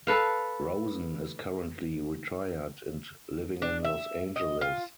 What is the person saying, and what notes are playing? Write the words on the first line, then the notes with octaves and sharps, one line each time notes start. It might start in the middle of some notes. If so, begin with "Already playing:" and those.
Rosen is currently retired and living in Los Angeles.
A4 B4 F5
D4
E5
D#5
F4